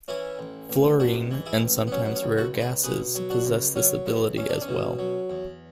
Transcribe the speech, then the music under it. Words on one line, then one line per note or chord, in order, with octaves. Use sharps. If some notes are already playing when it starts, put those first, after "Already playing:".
Fluorine and sometimes rare gases possess this ability as well.
E3 C#4 E4
A1
A1
G#2 D4 F#4
E3
E4 G#4
A1
B3
F#3 C#4
B3
C#4
C#2
F#4 A4
C#2
G#4 B4
B2 G#4 B4
F#3
D4 F#4
C#2
F#3 C#4
E2 B3
E2 C#4
D4
C#4
B2
F#3
E2